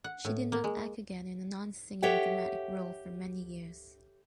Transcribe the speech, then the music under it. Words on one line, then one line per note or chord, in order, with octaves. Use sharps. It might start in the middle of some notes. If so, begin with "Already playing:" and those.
She did not act again in a nonsinging dramatic role for many years.
F#5
A2
A#3
G#3
G4 A4 C#5 E5 F#5 G5